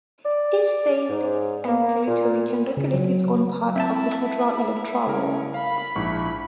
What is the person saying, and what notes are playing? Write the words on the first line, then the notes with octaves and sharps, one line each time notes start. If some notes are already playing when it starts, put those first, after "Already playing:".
Each state and territory can regulate its own part of the federal electoral roll.
D5
G#2
A#3
A#2
C#3
F#3
C4 E4 E5 G5 A5
C#3 C#4 E4 A#4
F5 B5
A#1 G#2 E4 C#6